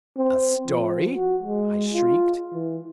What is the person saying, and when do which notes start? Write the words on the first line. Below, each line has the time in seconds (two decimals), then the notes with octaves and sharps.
"A story!" I shrieked.
0.17 C4
0.68 F3
1.12 F#4
1.43 G#3
1.93 F4
2.53 E3